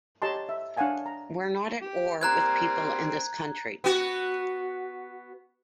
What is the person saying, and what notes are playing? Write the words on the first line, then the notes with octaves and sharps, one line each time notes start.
We're not at war with people in this country.
G4 C#5 D#5 A5 A#5 C6
E5
D4 C#5 F5 F#5 G#5 A5
A#5
G4
G3 A#3 C4 A#5 F#6 G#6
B3 F#4